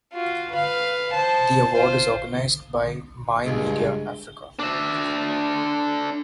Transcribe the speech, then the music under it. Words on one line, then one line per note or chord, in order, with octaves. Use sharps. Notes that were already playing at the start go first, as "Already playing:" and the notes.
The award is organized by My Media Africa.
F4 F#4
B4 F5
C5 A5
F4 C5
C#2 G2 G#3
D4 E5